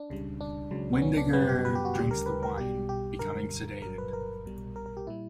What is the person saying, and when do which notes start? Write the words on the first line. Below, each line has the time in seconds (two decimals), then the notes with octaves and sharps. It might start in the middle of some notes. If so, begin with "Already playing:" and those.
Windegger drinks the wine, becoming sedated.
Already playing: D4
0.09 C#2 C#3 G3
0.41 D4
0.71 C#2 C#3 F#3
0.93 B3
1.02 C#4
1.17 D4
1.33 F#2 C#3 G3 B3
1.49 G4
1.65 B4
1.75 G4
1.85 F#4
1.95 D2 C#3 G3 G4
2.11 A#4
2.26 B4
2.43 A#4
2.58 B1 B2 G3 G4
2.89 G4
3.19 F#2 D3 G3 A#4
3.82 G1 G2 F#3 A#4
3.98 B4
4.13 A#4
4.45 B1 B2 G3
4.76 A#4
4.86 A#4
4.97 G4
5.07 A#2 G3 E4